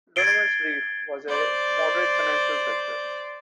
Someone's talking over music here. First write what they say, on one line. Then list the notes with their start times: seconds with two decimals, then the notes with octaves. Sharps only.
"Donovan's Reef" was a moderate financial success.
0.16 G#6 A6 C7 D7 G7
1.28 C5 D5